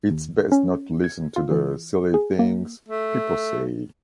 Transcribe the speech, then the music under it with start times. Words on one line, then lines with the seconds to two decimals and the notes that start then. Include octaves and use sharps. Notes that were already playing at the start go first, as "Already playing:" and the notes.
It’s best not to listen to the silly things people say.
0.11 D#2
0.52 C#4
1.04 G#6
1.36 F4
1.51 E3
2.14 G#4
2.39 A#3
2.88 A3